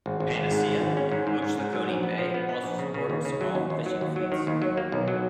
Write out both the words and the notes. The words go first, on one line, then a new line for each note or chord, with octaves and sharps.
Panacea and Ochlockonee Bay also support small fishing fleets.
G#1
G#1
G#1
G#2
G#1
G#1
C#4
G#2
G#2
G#2
G#2
F#3
A#1
B3
F3
B3
B3
A#1
C#3
C#3
D#2
C#3
F#3
D#2
D#2
F#3
D#2
F#3
D#3
D#2
F#3
A#3
B1
F#3